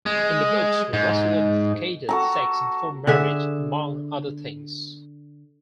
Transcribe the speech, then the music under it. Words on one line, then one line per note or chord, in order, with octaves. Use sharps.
In the books, Russell advocated sex before marriage, among other things.
G#3
G#2
F#4 A4 A#5
D3 G#4 E5